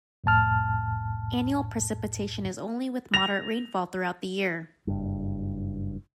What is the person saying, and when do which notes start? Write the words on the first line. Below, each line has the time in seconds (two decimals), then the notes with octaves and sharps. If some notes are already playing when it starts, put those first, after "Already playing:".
Annual precipitation is only with moderate rainfall throughout the year.
0.24 C2 F2 A2 A5 F6
3.14 A#6 F7
4.87 F#1 G2